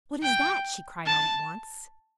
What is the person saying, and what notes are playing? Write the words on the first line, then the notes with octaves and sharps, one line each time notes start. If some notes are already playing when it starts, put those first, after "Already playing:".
"What is that?" she cried, all at once.
G5
A5